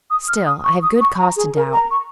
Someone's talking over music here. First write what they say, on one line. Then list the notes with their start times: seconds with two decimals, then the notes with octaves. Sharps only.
Still, I have good cause to doubt.
0.10 D#6
0.28 F6
0.46 D#6
0.64 C#6
0.83 D#6
1.01 C#6
1.19 A#5
1.36 G#4
1.55 A#4
1.73 A#5
1.91 C#6